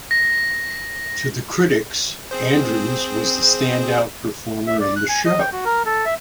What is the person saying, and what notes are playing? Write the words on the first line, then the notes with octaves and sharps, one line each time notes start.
To the critics, Andrews was the stand-out performer in the show.
A#6
C4 G#4 C5
E5
D5
F#6
G#5
D#5
G5
F#4
A#4
A4
E5